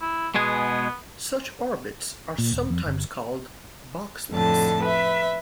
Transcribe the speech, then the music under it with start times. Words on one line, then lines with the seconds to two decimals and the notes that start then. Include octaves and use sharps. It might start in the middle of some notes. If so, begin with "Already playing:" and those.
Such orbits are sometimes called "boxlets".
0.01 E4
0.35 B2 G#3 B3 G#4
2.38 A#2
2.52 E1
2.70 F2
2.86 G1
4.30 F2 A2 D3 A5
4.82 B4 E5